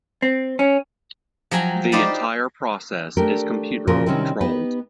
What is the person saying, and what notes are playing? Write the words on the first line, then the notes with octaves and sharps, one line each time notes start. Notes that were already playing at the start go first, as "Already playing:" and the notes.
The entire process is computer controlled.
C4
C#4
F3 F#3 G5 G#5 A#5
D#4 F4 G4 C5 D5 B5
A3 D4 G4 A#4
A#2 C#3 F3 F4 F#4 A#4
C3 D#3 G3 C4 C#4 E4
B3 D#4 G4 B4